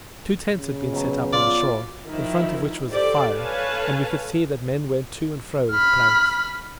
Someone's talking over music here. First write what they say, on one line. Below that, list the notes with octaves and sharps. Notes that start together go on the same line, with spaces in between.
Two tents had been set up on the shore, in front of which was a fire; and we could see that men went to and fro with planks.
C#3
B2 F#3
F4 D5
D#3 F3 E4
G4 A4 C5 D5
A4 B4 C#5 F5 G#5 A5
B5 F6